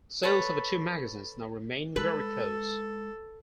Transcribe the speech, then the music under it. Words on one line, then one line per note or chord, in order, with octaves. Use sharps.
Sales of the two magazines now remain very close.
A4 B4 C#5
G#3 A4 B4